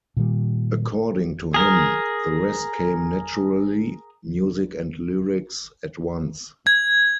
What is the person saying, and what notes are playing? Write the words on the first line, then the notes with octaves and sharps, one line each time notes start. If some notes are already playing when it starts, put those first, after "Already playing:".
According to him, "the rest came naturally, music and lyrics at once".
A#2 D#3 G3
G#4 A#4
G#6